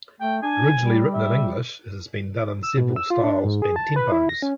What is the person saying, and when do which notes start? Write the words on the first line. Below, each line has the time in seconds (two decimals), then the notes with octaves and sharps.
Originally written in English, it has been done in several styles and tempos.
0.21 A3 G5
0.42 D4 G#5
0.83 G3
1.13 E5
2.63 E6
2.77 B2
2.96 E6
3.10 F4
3.24 D4
3.45 G#2
3.62 G#4
3.76 A5
3.96 B4
4.12 E4
4.29 A#6
4.42 C#4